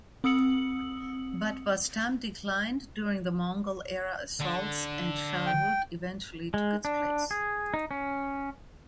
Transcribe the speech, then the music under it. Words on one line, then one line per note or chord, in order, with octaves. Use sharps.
But Bastam declined during the Mongol era assaults, and Shahrud eventually took its place.
C4 D#6 E6 C#7 F#7
D3
G5
G#3
D4
G#4
D#4
C#4